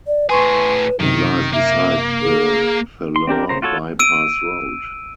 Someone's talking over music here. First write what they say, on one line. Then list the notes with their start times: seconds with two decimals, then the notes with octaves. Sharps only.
It lies beside the Thalore bypass road.
0.07 D5
0.30 A2 G#4 B4 G#5 C6 C#6
1.00 F#2 C3 D#3 D#4
1.53 A#3 E5
2.22 G#4
3.16 C6
3.27 C4 D4 G4 A#4
3.49 C#3 C5 A#5
3.62 F4 F#4 A4 C#5
3.99 E6 D7 D#7